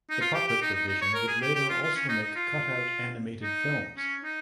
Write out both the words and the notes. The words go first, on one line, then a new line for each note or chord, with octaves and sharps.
The puppet division would later also make cutout-animated films.
D#4
F4
G4
G4
D#4
D#4
D#4
C#5
A#4
G#4
G4
G4
F4
F4
C#4
D#4
D#4
F4
D#4
C#4
D#4